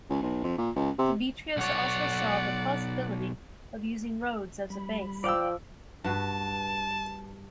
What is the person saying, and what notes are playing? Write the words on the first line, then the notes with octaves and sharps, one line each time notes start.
Demetrius also saw the possibility of using Rhodes as a base.
C#2
B1
F2
A#2
C#2
C3
B1 C#5 D5 F#5
G3 B5
F3 D5 F5 G5 D6 E6
G2 F#4 B4 A5